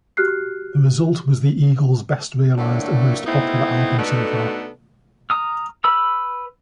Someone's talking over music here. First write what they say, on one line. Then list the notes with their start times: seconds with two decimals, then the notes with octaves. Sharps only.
The result was the Eagles' best-realized and most popular album so far.
0.17 F#4 G4 F6 F#6 C7
2.57 A2 D3 F#3 A3 A#3 D4
3.26 A3 B3 C4 D#4 E4
3.97 B2 A3 B3 D4 D#4 A4
5.30 A#5 D#6 F6
5.84 B4 B5 E6 F6